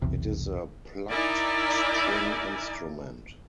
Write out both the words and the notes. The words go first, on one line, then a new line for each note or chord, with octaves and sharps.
It is a plucked string instrument.
B1 E2 C3
D#4 E4 A#4 D5 G#5